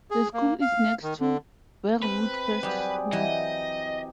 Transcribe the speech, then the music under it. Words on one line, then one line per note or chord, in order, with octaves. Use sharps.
The school is next to Verwood First School.
G#4
A#3
F5
D#3
D3
C3 B4
F#3 G3 G4 G#4
E3 F#3 D#4 D#5